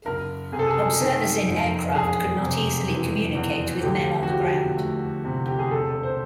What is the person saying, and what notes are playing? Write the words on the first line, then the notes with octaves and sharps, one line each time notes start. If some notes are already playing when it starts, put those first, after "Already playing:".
Observers in aircraft could not easily communicate with men on the ground.
F#1 A#4
C3 G#4
A4
G#4
D#3
F2
E1 G#4
C3
E3
E2
D2 G4
F#4
F3 G4
A3
C3
G4
G#4
E1 A4
C5